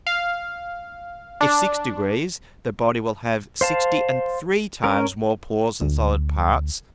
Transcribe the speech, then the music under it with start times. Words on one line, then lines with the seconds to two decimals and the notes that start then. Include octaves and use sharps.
If six degrees, the Body will have sixty and three times more Pores than solid Parts.
0.07 F5
1.41 D4
3.61 C5 F5 A5
4.84 C#4 A#4
5.82 D2